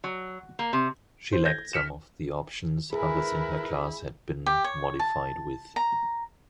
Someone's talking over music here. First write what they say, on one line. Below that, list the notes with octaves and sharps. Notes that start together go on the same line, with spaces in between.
She lacked some of the options others in her class had been modified with.
F#3
A#3
C3
C5
G6 G#6 A#6
F6 B6 C#7 E7
E4 G#4 A#4 B4
G4
C#5
A5
A#5